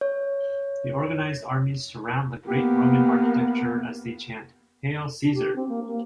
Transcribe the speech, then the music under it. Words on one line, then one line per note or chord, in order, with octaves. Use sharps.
The organized armies surround the great Roman architecture as they chant, Hail Caesar!
C#5
A#3 B3 G4
D4
G4
C4
A#3
A#3